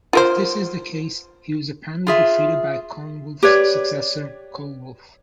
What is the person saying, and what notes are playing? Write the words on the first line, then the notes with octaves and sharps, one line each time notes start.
If this is the case, he was apparently defeated by Coenwulf's successor Ceolwulf.
F4 A#4 C5
F4 G#4 E5
G4 B4 C#5 D5